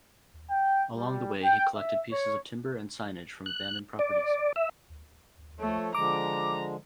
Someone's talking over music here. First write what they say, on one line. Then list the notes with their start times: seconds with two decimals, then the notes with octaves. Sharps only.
Along the way he collected pieces of timber and signage from abandoned properties.
0.50 G5
0.94 G3
1.43 G5
1.74 E5
2.11 C#5
3.46 F#6
3.99 D5
4.56 E5
5.60 F3 A3 A4 C#5
5.95 D3 F3 G#3 A#5 D6